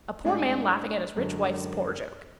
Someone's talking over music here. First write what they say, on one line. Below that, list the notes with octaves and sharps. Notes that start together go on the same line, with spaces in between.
A poor man laughing at his rich wife's poor joke.
A2 G#3 D4 G#4
F#2 D3 G#3